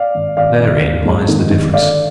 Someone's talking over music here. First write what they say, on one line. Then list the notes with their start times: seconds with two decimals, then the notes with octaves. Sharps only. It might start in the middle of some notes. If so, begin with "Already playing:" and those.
Therein lies the difference.
Already playing: D5 F5
0.15 G#1
0.37 G#1 D5 F5
0.60 G#1
0.83 G#1
1.05 G#2
1.28 D#3
1.51 D#3
1.73 D3 D5 F5